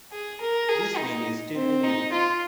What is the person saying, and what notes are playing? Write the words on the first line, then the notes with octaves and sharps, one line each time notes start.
This wing is still in use.
G#4
A#4
G#4
D#4
C4
D#4
F4